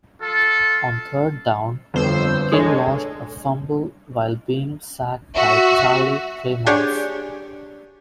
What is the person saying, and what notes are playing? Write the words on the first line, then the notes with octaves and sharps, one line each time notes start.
On third down, King lost a fumble while being sacked by Charlie Clemons.
F4 A4
G1 F2 B3 C5 E6
G#3 D4 A4 C#5
F#4 E5
D4 G4 G#4 C#5